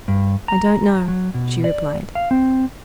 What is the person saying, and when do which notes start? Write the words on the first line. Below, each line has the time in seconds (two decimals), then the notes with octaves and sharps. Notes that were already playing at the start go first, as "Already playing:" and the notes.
"I don't know," she replied.
0.08 G2
0.48 A#5
1.08 F#3
1.34 B2
1.64 D5
2.15 F5
2.31 C4